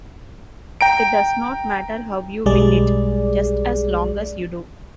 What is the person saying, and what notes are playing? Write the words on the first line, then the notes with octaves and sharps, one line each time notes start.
It does not matter how you win it, just as long as you do.
G5 A#5 D7
B1 G3 G#3 G#4 D5